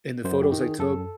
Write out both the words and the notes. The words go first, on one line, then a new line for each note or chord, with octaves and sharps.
and the photos I took
F#2 C5
G4
D#3
G#4
F#2 A4